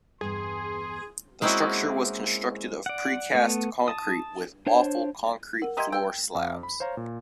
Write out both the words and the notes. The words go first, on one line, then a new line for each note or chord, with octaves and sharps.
The structure was constructed of precast concrete with waffle concrete floor slabs.
E2 G2 G#4 C6
G#3 A#3 C4 C#4 E4 F#4
D5 F#5
A3 B3
A5 D#6
D4 C5 C#5
A#4 F#5
G4 D#5 E5 A#5 C6 G#6
G5 E6
F2
B5
C5 C#5 F5 A#5
A#2